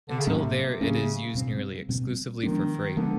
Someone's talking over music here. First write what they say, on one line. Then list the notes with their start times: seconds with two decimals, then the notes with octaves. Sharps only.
Until there it is used nearly exclusively for freight.
0.09 D3
0.18 C#3
0.27 A2 C3 F#3 A#3 C#4
0.81 A2 C#3 F#3 A#3 C#4
1.35 B2 G3 C4
1.89 B2 G3 C4
2.43 D#3 F3 G#3 B3 D4
2.97 D3 F3 G#3 B3 D4